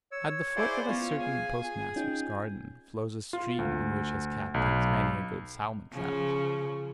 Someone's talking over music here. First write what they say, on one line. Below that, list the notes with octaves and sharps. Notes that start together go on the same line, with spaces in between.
At the foot of a certain post-master's garden, flows a stream in which his cat takes many a good salmon-trout.
C#5 E6
E4 G#4 C5 D5 F5 D6
B3 C#4 F4 C#5 F5
G#4 G#5
G#4
C#4 D#4 F4 G5
F4
D2
B1
C#3 F3